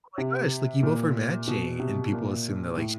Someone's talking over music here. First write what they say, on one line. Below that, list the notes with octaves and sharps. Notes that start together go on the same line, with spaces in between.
"Oh my gosh, like, you both are matching." And people assume that, like, she
C3
A#2
B2
C3
A#2
A2